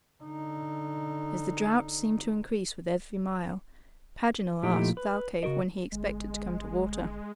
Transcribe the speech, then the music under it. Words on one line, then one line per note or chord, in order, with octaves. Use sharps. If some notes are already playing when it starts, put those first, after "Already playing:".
As the drought seemed to increase with every mile, Paganel asked Thalcave when he expected to come to water.
D3 D#4
A#2 F3 A3 D#4 E4 G4
B4
C#3 F#4 G4 A#4 D#5
G1 G#3